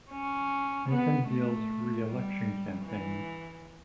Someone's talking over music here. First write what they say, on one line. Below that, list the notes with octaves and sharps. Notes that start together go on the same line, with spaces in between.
Nathan Deal's re-election campaign.
C#4
B3
A3
G3
E3